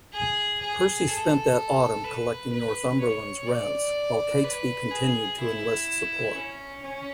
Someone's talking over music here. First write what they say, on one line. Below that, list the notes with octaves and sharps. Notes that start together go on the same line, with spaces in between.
Percy spent that Autumn collecting Northumberland's rents, while Catesby continued to enlist support.
G#4
G#4
A4
B4
B4
C#5
D5
B4
G#4
E4
C#4
C#4